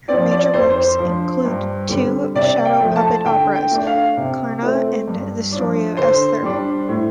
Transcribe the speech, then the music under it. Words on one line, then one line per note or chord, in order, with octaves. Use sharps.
Her major works include two shadow puppet operas: "Karna" and "The Story of Esther".
F3 C4 D5
D5
F2 C5
C5
F3 D4
G2
D3 G3 C4
C3 D5
G5
F3 A3
A5
D3 G5
G5
A3 D4
F5
C3
A3 C4
G2
F3 D4
D3 C5
G3 D4
A2